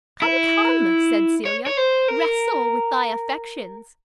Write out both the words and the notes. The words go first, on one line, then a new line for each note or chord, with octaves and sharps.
"Come, come," said Celia, "wrestle with thy affections."
E4
C#5
C#5
C5
A#4